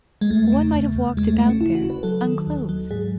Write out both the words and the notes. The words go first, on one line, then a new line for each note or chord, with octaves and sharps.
One might have walked about there, unclothed.
G#3
E2 A3
C#3
E2
E2
C#3 G#3
A3
C#3 A3
C#4
D#2 E4
F#4
C#3
B4
F#3 A4
D#3
D#2
F#3
G#2 G#4